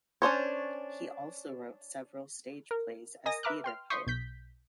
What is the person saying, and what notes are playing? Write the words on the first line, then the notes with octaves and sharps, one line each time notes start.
He also wrote several stage plays as theatre poet.
C#4 D4 C5 C#5
A#4
A#4 D#5 G#5 D#6 A#6
B4 E5 A#5 D6 F6 F#6
G5 C6 F6
C6 C#6 D#6 G6 B6 C7
B1 G6 B6